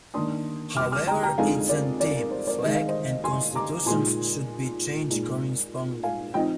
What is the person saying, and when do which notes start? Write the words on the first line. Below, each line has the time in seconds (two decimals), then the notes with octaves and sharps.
However, its anthem, flag and constitutions should be changed correspondingly.
0.14 D#3 A#3 D4 C6 D#6
0.77 D6 F6
0.91 D6 F6
1.07 G5 A#5
1.23 G5 A#5
1.38 F2 D3 G#3 D#4 F5 G#5
1.69 A#4 D5
2.00 A#4 D5
2.16 A#4
2.31 C5
2.47 A#4 D5
2.62 D#3 G#3 D#4 D#5
2.75 F5
2.88 C5 D#5
3.24 G#5 C6
3.55 A#5 D6
3.86 A#2 G#3 D#4 G#5 C6
5.10 A#2 G#3 D#4
6.03 F5 G#5
6.34 F3 C4 D#4 D#5 G5